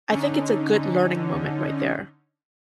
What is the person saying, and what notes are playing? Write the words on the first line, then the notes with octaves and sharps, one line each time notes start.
I think it's a good learning moment right there.
D3 C#4 D#4